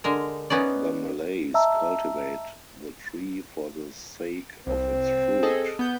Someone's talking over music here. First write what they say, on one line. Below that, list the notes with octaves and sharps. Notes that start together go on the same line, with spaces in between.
The Malays cultivate the tree for the sake of its fruit.
D3 G#3 A#4
B3 C#4 D#4 D5
D#5 E5 A5 A#5 E6
C2 C4
G#4 A4 D#5
B3 G6